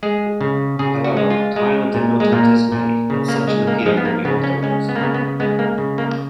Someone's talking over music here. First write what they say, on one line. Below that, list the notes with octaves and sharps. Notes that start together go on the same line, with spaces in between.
However, Tyler did not anticipate that such an appeal would be authorized.
G#3 G#4
C#3
C#3 G#4
F#4
G#3
F4
G#3
A#2
G#3
A#2 A#3
A#2
C#3
A#3
G#3
A#3
F3 G#3
B3
A#3
C#3 B3
C#4
G#3 C#4
B3
A#3
C#3 B3
B3
G#3 B3
A#3
C#3
A#3